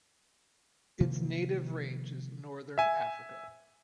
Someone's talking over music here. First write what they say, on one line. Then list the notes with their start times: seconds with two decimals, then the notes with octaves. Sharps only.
Its native range is northern Africa.
1.00 C3 D#3 F3 A#3
2.78 E5 G#5